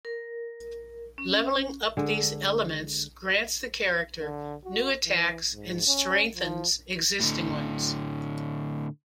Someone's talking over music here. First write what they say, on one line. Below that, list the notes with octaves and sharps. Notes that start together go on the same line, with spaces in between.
Leveling up these elements grants the character new attacks and strengthens existing ones.
A#4
C#4
D3 G#3
D3
F#4
E3
G#2
C#4
F3
A2 D3